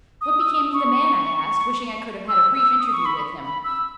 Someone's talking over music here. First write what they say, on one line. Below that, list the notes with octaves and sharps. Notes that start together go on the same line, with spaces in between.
"What became of the man?" I asked, wishing I could have had a brief interview with him.
D#6
E6
D#6
C#6
E6
E6
D#6
C#6
B5
B5
E6